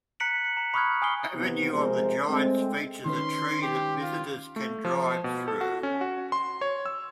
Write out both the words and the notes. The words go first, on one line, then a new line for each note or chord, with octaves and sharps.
Avenue of the Giants features a tree that visitors can drive through.
A#5 F#6 B6 C#7 D7 F#7
C#7
A#5
B5 C#6 D#6 F6 F#6 G#6
G#5 D#6 F6 F#6 C7 G7
C3 E3 B3
C3 F3 G#3 A#4 C5
G#3 A3 C4
D#3 C#4 B4 C6
G4
F4
A3
F3
B2
A4
F#4
C#4
F#4
C6
C#5
E6